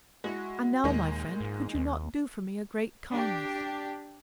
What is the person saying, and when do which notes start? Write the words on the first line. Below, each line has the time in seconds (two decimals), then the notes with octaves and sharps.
And now, my friend, could you not do for me a great kindness?
0.24 G#3 E4 F#4
0.84 D#2 A#2 D#3 G#3
1.41 G#2
1.75 D#2
3.11 D4 G4